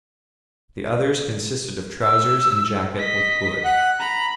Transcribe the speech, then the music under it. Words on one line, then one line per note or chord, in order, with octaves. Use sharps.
The others consisted of trousers and jacket with hood.
E6
D#5 B6
F#5
A#5 B5